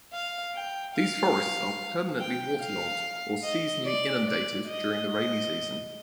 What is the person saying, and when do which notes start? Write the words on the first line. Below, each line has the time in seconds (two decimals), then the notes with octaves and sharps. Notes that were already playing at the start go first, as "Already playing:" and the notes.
These forests are permanently waterlogged or seasonally inundated during the rainy season.
0.13 F5
0.55 G5
0.96 F5
2.20 G5
2.62 F5
3.43 D#5
3.85 D5
4.27 D5
4.68 D#5
5.09 D#5